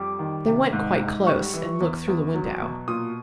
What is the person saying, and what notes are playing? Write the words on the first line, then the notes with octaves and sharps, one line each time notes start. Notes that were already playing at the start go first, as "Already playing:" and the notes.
They went quite close and looked through the window.
Already playing: F2 G3 D6
D#3
C3
G#2
G#2
G3 C#6
E3
E2
E2
F#3
B2
A#2 D#6